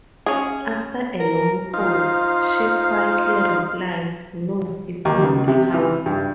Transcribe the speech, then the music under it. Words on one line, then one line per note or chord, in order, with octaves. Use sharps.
After a long pause, she quietly replies, No, it's not my house.
C#4 G#4
A#4
D#4 F4 C5 F5
D#2
C#2
C3
E3
G2